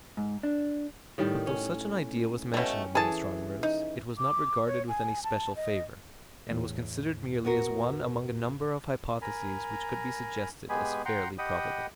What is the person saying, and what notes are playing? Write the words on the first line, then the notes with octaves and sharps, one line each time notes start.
But though such an idea was mentioned among astronomers, it was not regarded with any special favour, and was considered merely as one among a number of hypotheses which could be suggested as fairly probable.
G#2
D4
A2 D#3 G3
C#4
B2 A3 C#4 G5
E3 G#4 A4 G#5 A5
D#4
D6
C#5
G#5
A5
D#5
E2 A2
B3 F#4 A#4
A#4 G#5 A#5 B5
G#3 B3 G4 G#4 G#5 B5
F#5 G5 A#5 C6
G4 D#5 F#5 G5 B5 D#6